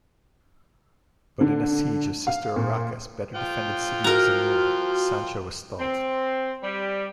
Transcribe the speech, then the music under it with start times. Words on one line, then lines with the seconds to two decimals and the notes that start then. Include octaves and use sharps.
But in a siege of sister Urraca's better-defended city of Zamora, Sancho was stalled.
1.41 D3
2.27 F5
2.56 A#2
3.35 F3 F4 G5
4.04 F#4 A#4 A#5
5.80 C4
6.63 G3